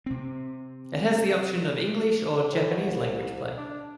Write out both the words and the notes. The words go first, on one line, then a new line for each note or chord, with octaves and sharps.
It has the option of English or Japanese-language play.
C3 C4
A2
F#3
C2
D4